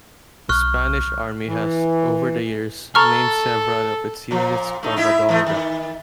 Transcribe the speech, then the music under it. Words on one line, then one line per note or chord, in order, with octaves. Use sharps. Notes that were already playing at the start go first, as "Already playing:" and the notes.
The Spanish Army has, over the years, named several of its units "Covadonga".
B1 C#6 F6 F#6
E3
A4 A#5 C#6 F6
A#2 F3
A3 D#4
D#4 E4 E5
E3 A3
D#3